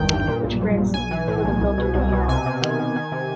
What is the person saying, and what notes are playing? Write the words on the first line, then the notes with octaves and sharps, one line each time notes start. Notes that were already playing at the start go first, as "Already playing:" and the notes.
Which brands with a filter do you have?
Already playing: G#1 E2 G2 D#3 G5
G2
A#2
B1
A#2
B1
B1 G#5
E3
A2
B1
C2
B2
C2
B2
C3 G#5
C3
D#3
D#3
D#3
C3